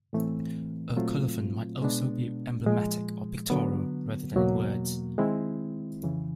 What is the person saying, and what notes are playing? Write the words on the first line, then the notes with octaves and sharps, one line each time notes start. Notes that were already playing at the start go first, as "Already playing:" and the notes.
A colophon might also be emblematic or pictorial rather than in words.
A2 E3 A3 C4
A#2 F#3 A3 C4 F4
B2 G#3 B3 D4
A#2 F3 G#3
D3 F#3 B3
E2 B2 F#3 A#3
D#3 G#3 C4 E4
F2 C#3 E3